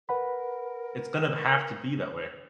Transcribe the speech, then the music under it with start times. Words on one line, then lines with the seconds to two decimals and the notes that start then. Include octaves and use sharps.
It's gonna b have to be that way.
0.09 A#4 B4 F#5 B5